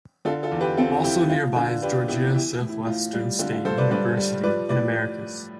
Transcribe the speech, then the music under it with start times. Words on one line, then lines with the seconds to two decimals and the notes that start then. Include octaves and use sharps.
Also nearby is Georgia Southwestern State University in Americus.
0.25 D3 F4 A4
0.43 F4 A4
0.51 E2
0.61 G4 B4
0.77 C4 F4 A4
1.04 F3 E4 G4
1.29 F3 F4
1.56 D3 F4
1.82 D4 G4 B4
2.08 B3 E4 G4
2.34 E3 E4 G4
2.52 E4
2.61 A2
2.69 E4
2.87 A2 F4
3.13 G3
3.39 D3 F4
3.52 F4
3.65 G2 A4 C5
3.78 B4 D5
3.91 G2 B4 D5
4.17 G3
4.43 F3 B4 D5
4.69 A2 B4 D5